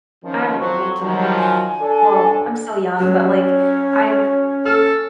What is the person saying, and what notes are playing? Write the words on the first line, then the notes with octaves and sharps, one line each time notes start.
I'm old enough, well, I'm still young, but, like, I've
D#3 F3 C#4
F2 F#3 C5 C#6
D#3 F3 F#3 A#5
G#5
D4 A4
F#3 C#4 C#5
A4 F6